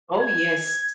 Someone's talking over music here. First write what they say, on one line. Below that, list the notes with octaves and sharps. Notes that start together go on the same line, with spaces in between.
Oh, yes.
G#6